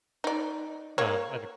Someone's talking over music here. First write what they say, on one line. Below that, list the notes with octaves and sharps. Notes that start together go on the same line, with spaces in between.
um, I think,
D#4 D5
A#3 C#5